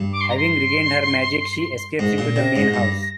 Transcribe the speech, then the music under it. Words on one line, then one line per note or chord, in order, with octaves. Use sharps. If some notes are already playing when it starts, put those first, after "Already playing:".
Having regained her magic, she escapes into the main house.
Already playing: G2
D6
C6
A#5
C6
G#2 A#6
A#2
C3
G#2
G2